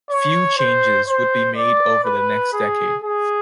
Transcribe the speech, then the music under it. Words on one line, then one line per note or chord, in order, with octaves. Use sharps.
Few changes would be made over the next decade.
C#5
C5
C5
D5
B4
G#4
G#4